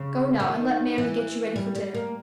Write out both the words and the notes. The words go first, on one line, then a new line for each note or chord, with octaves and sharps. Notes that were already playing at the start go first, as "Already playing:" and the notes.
"Go now and let mammy get you ready for dinner."
Already playing: C#3
D#3
E3
G3
G3
A#3